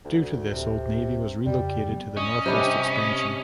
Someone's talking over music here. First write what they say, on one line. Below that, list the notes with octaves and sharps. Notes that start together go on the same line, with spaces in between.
Due to this, Old Navy was relocated to the Northwest Expansion.
D2
D1 C3
F2 C#3 G3
F#3 B3
C#4 D#5
C3 G3 D4